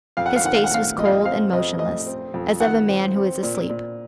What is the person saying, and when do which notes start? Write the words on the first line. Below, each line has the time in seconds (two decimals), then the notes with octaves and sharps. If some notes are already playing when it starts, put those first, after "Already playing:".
His face was cold and motionless, as of a man who is asleep.
0.17 F2 F5
0.26 F#5
0.36 F5
0.44 D#3 F#5
0.54 F5
0.64 F#5
0.70 A3 F5
0.98 F2 D#5
1.05 F5
1.12 D#5
1.25 C4 F5
1.53 F2 D#5
1.79 A3 D#5
2.06 C4
2.34 F2
2.60 D#3 F#5
2.88 C4
3.15 C4
3.43 A#2
3.70 A#2